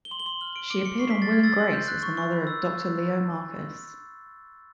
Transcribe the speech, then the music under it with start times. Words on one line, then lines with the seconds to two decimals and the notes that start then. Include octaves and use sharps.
She appeared on "Will and Grace" as the mother of Doctor Leo Markus.
0.05 G7
0.11 C6 F#7
0.20 G7
0.26 C6 F#7
0.41 F6 F#7
0.56 F6 D7
0.70 D6 D7
0.84 D6 C#7
0.99 C#6 C7
1.10 B6
1.15 C#6
1.22 A6
1.29 F6 G#6
1.44 E6 A6
1.59 C6
1.73 G6
1.88 F#6
2.03 C#6
2.17 C#6
2.32 B5
2.47 E6